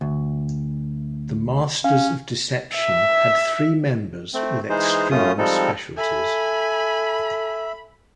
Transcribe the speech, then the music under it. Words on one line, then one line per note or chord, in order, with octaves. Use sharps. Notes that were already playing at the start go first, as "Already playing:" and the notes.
The Masters of Deception had three members with extreme specialties.
D2
C#4 F5
E5
A3 C4
E3 G#3 D#4 G#4 C5
F#2 A3 C#4 F4 D#6
F3 G3 G#3 C4 D#4 A4
A4 E5 G#5 B5